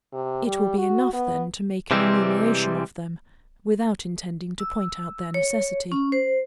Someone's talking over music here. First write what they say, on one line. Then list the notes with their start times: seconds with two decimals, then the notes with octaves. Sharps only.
It will be enough then to make an enumeration of them, without intending to point out their necessity.
0.13 C3
0.46 G3
0.78 F#4
1.13 B3
1.91 C3 E3 G3 G#3 C4
4.60 E6
5.34 C#5
5.92 C#4
6.12 C5